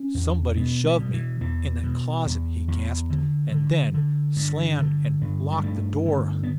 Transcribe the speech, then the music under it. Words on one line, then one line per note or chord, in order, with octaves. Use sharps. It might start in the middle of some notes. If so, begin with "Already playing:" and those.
"Somebody shoved me--in that closet," he gasped, "and then--slammed and--locked--the door."
Already playing: C#4
E2
B2 B3
G3
B2
E3
E2 E3
B2
E2
E2
D3
D3
D3
G2
D3
G2
G3
G2 A3
D3
B3